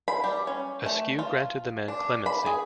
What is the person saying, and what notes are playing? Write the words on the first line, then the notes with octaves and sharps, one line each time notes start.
Askew granted the men clemency.
B5
G3
C#4
A3
F4
D4
B5
G#4